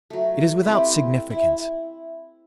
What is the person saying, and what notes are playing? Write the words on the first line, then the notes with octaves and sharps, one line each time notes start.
It is without significance!
F#3 A3
C4 E4 G4 B4
E4